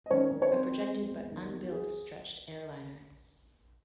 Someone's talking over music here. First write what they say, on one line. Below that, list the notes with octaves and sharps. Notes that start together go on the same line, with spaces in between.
A projected but unbuilt stretched airliner.
D#5
D#3 C#4 C#5
D#3
C#5
C4 C5
C4
G#3
E2
D#3
E2
F#4
G#4